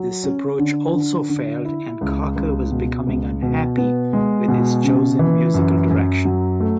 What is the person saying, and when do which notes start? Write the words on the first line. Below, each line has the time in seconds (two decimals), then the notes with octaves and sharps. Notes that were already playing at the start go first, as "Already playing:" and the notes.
This approach also failed and Cocker was becoming unhappy with his chosen musical direction.
Already playing: F#3
0.24 C#4
0.59 D3
0.95 D3
1.29 D3
1.65 E4
2.01 C#2
2.36 C#2
2.72 B2
3.07 C#2
3.42 B2
3.77 B3
4.13 G#3
4.48 B2
4.84 C#3
5.19 E3
5.54 F#2
5.90 F#2
6.25 F#3
6.60 A3